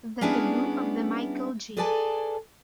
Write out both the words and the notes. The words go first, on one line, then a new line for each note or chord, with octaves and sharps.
The debut of The Michael J.
G3 B3 C#4 D4 E4 G#4
G#4 A4 B4 D5 G#5 A5